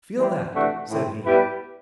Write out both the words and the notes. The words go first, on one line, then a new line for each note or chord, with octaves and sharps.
"Feel that!" said he.
E3 G3 C4 G4
C3 E3 A3 D4 F#4
A2 E3 A3 C4
G3 B3 E4 G4 B4